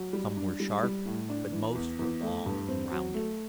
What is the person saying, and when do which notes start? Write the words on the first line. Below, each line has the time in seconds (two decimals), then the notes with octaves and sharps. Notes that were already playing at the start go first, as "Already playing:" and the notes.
Some were sharp, but most were long and rounded.
Already playing: F#3
0.13 G3
0.37 D4
0.60 G3
0.83 G3
1.06 A2
1.30 D4
1.52 E3
1.75 E2
1.99 E2
2.22 A3
2.46 G2
2.68 C4
2.91 F#3
3.14 A3